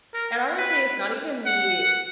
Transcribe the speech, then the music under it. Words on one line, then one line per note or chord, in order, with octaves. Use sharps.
and, honestly, it's not even the
A#4
B4
F#5